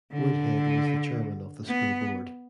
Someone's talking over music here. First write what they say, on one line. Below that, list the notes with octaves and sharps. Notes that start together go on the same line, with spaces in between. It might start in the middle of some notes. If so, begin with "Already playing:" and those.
Woodhead was the chairman of the school board.
D3
B3